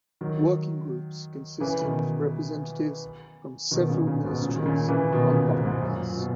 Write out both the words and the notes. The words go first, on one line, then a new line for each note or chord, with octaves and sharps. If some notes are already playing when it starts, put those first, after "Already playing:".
Working groups consisting of representatives from several ministries are commonplace.
D#3 F#3
C#3 E3
B2 D#3
B2 D#3
A#2 C#3
A#2 C#3
G#2 B2
A#2 C#3
D#3
A#2 C#3
C#3 E3
B2 D#3
A#2 C#3
G#2
G#2
F#2 A#2
A#2
B2